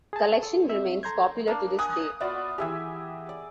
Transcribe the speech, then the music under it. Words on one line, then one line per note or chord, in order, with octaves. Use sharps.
The collection remains popular to this day.
G#4 A5
A4
C4 E5
A4 A#5 C6 G6 G#6
A#3 D4
G#5 D#6 F#6
B3 F4 F#4 D5 E5
E3 G4 G#4 E5 G#5
D5